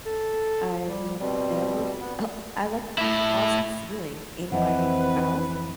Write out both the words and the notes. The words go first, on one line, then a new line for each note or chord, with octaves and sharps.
I never fel I like co lost feeling in my mouth
A4
G3
B2 G3 C4
B3
A2 E4
F2 E3 C4 B4 D#5 E5 F#5